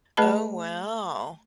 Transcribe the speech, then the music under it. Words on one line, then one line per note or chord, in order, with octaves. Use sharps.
Oh, wow.
A3 G#4 B4 D#5 A5 B5